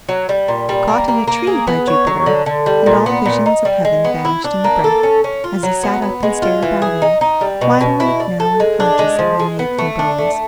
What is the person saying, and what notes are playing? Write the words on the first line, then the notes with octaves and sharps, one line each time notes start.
"Caught in a tree, by Jupiter!" and all visions of heaven vanished in a breath, as he sat up and stared about him, wide awake now, and conscious of many aching bones.
F#3
G3
A#2
G3
A#3
A#3
A#3
G#4
B3
C#5
F#3
D3
D3
G3
A#2
B3
A#2
D#4
G3
G#3
B3
E4
D4
A#3
A4
C#4
C#4
F4
F#3
B3
B3
G#3
F4
E3
G#4
D#4
D#4
G3
B2
B2
E4
D5
A4
G#3
D4
G#3
F3
G#3
B3
A3
D4
A3